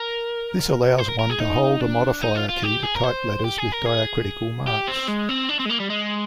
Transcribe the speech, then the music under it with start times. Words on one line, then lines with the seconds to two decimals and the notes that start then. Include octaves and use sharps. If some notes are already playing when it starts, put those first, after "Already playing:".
This allows one to hold a modifier key to type letters with diacritical marks.
Already playing: A#4
0.99 C5
1.09 A#4
1.19 A#4
1.30 G#4
1.40 D#4
1.81 D4
2.22 D#4
2.35 F4
2.49 F4
2.63 G4
2.83 G#4
2.95 A#4
3.04 C5
3.44 G4
3.58 G#4
3.72 A#4
3.86 G#4
4.68 G4
4.88 C4
5.08 G#3
5.29 C4
5.49 D4
5.60 C4
5.66 G#3
5.70 A#3
5.80 G3
5.90 G#3